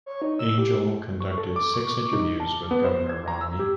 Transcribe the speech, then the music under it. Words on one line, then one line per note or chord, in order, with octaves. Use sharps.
Angel conducted six interviews with Governor Romney.
C#5
D#4
E6
G4
C#6
A4
D6
C#6
D#4
A5
B3
C5
G#6
A#5
E6
G4